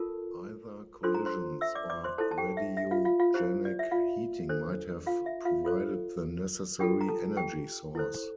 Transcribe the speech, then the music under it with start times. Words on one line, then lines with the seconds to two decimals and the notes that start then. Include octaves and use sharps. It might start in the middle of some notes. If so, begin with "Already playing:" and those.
Either collisions or radiogenic heating might have provided the necessary energy source.
Already playing: F4 A4 A#4 A5
1.03 D4 F4 A4 C5 C6
1.15 A#5
1.26 C5 C6
1.61 E5 E6
1.75 D5 D6
1.90 D5 D6
2.04 C5 C6
2.18 E4 A4 C5 A5
2.31 A5
2.38 G4 G5
2.57 E5
2.77 E5
2.91 F4 F5
3.05 F4 F5
3.20 F4 F5
3.34 E4 G4 C5
3.65 D5
3.79 E5
3.91 F4 F5
4.49 D4 A4 C5
5.06 F4 F5
5.26 E5
5.45 F4 F5
5.65 F4 A4 C5
6.80 D4 F4 G4 A4 G5
7.01 A#5
7.08 A4 A5
7.37 G4 G5
7.95 E4 A4 C5